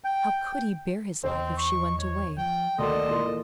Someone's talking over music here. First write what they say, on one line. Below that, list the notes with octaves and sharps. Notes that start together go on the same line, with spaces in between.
How could he bear his life if she went away?
G5
E2 C4 C5 D#5
C#6
C#5
F3 G5
D2 D#3 A#3 A4 D5 D#5 F#5 C6
A#2 E3 A#3